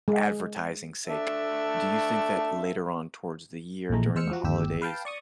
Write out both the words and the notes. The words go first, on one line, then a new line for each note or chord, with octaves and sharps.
advertising sake? Do you think that later on towards the year during the holidays,
G#3
D4 A4 E5
A#1 A#2 E3 G#3 A3 A#5
E2 G#3 C5 E6 F6 C#7
F3 F#4
G1 D#2 G4 E6
B4 F5 G5 A5
D5 C#6 D#6